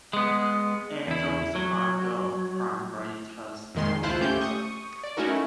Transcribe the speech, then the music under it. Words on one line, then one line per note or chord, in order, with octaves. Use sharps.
Engel is a founder of Crime Writers of Canada.
G#3 B3
E2 E4
F#3
F2 A#2 D#3 G#3 C6
C#2 E4 F4 C5 A5 F#6
A3 C#4 G4 G6
C#6 D#6
D5
A3 C#4 D#4 E4 F#4 A#4